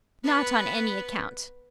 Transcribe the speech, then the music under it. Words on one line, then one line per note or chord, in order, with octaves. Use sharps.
Not on any account.'
B3 B4